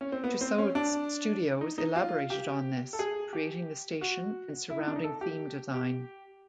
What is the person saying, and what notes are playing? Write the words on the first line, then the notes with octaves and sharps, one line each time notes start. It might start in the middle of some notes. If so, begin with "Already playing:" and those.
Tussauds Studios elaborated on this, creating the station and surrounding theme design.
C#4
C4
B3
C4
C#4
D4
D#4
D#4
F4
G4
A4
G#4
G4
F#4
E4
D#4
D4
D#4
A4
G4
G4